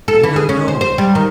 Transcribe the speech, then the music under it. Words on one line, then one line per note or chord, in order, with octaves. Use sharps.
I do not know!
A4
E3
G#4
C#4
C5
C5
G3
D#3